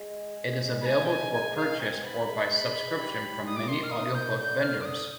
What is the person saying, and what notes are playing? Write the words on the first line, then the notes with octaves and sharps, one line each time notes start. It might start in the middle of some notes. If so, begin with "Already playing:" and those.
It is available for purchase or by subscription from many audio book vendors.
Already playing: G#3
B5
G#5
G5
G#5
G#5
G#3 F5
C4 G#5
B3 B5
B3
G#3
G3
D#6
D6
D#3 C6
F6
D#6
G6
D3 G6
F6
D6
D#6